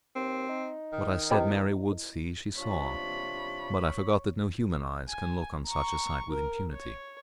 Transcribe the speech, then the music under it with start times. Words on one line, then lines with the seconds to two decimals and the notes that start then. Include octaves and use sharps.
What I said Mary would see she saw, but I forgot that no human eyes can look on such a sight with impunity.
0.16 D#2 C4
0.49 D#4
0.93 D#3
1.31 C4 E4 G4 B4 D#5
2.57 C3 D4 F4 C#5 B5
5.08 G#5
5.67 A#5 C#6
6.29 A#4
6.73 C#5